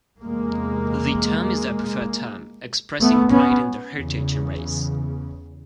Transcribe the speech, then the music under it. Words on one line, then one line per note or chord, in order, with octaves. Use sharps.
The term is their preferred term, expressing pride in their heritage and race.
E2 C3 G#3 A#3
A3 B3
B3 C#4
E2 C#3